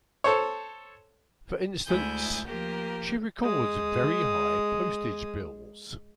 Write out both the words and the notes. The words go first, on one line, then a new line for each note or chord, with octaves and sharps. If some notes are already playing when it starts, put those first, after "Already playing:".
For instance, she records very high postage bills.
A4 C5 C#5
D2 G#3 E4 G#4 G6
F3 A#3 G4 A#4
G#3 D#6